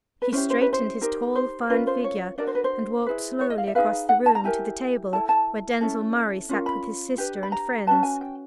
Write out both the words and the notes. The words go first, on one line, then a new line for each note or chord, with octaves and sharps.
He straightened his tall, fine figure and walked slowly across the room to the table where Denzil Murray sat with his sister and friends.
B4
C#4 E4 G4 C5
C5
B4
C5
D#4 G4 A#4
C5
C#4 F4 A#4 B4
C5
C#5
D4 F#4 A#4 D5
C5
B4
C5
E4 G#4 B4
C#5
D#5
F5
E5
D#4 G#4 B4 F5
F#5
A5
A#5
E4 G4 A#4 G#5
E4 A4 A5
A5
C#4 E4 A4
C#4 F4 A#4
B5
D4 G4 B4
B5
A#5
C#4 F#4 B4 A5
G#5
G5